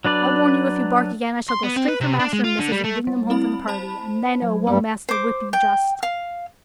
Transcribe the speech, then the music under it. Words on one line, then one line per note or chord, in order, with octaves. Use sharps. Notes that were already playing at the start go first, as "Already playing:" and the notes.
"I warn you if you bark again I shall go straight for master and missus and bring them home from the party, and then, oh, won't master whip you, just."
F#3 D4 B4 D5
C6
B3
C4
B4
C3
D4
G#3
F4
D3
G3
A3
G3
C4 E4 B5
C5 A5 B5
F#3
G2 G3 B3
C5 D6
G5
F5